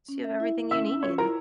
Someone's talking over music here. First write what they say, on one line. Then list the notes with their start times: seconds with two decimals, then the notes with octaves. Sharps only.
So you have everything you need.
0.08 C#4
0.24 E5
0.40 E4
0.55 E4
0.71 C#4 E5 E6
0.88 C#4
1.03 F4 C#5 C#6
1.18 E4 A#4 A#5